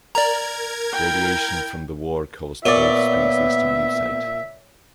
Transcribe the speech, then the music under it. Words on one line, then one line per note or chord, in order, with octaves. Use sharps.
Radiation from the war caused both species to mutate.
A#4 D5 A#5 G#6
E4 G5
A#2 B3 C#5 D5 E5